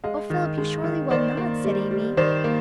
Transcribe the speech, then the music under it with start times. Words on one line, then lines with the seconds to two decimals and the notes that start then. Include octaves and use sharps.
'O Philip, you surely will not?' said Amy.
0.04 G#3 D#5 F5
0.30 D#3
0.58 G#3
0.84 D#3
1.10 D#3 C5 D5
1.37 A#3
1.65 G3
1.91 G3
2.17 D#3 C5 D5
2.44 A#3